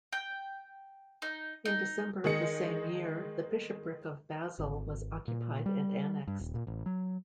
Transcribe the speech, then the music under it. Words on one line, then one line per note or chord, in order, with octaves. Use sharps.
In December of the same year the Bishopric of Basel was occupied and annexed.
G5
D#4
D#4
D#3 G#3 D#5 C#7
G#1
A#2
G3
G2
D#1
A#2
A1
F#3